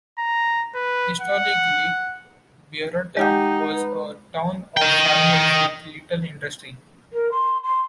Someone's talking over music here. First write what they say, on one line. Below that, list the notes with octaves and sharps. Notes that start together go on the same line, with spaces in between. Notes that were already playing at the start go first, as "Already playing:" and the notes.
Historically Berriatua was a town of farmers with little industry.
A#5
B4
F#5
G#3 D#4 G4 D#5 F#5 G#5 G6
B4
D#5 G5
A#4
C6
C6